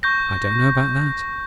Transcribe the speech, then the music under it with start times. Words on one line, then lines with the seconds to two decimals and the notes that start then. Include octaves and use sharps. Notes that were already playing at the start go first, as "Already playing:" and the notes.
I don't know about that.
0.03 C#6 G6 A#6